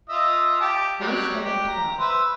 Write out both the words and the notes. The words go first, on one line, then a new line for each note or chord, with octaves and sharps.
Let us start at twelve.
F4 D#5 E5
G4 A5
F#3 G3
G4
A#5
B4 C5 E5